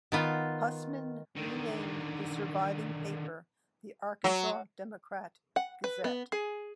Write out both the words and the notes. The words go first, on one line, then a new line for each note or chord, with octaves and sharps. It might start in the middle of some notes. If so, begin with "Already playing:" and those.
Hussman renamed the surviving paper the Arkansas Democrat-Gazette.
D#3 B3 F4
D3 D#3
F#3
F#5
B4
B3
G#4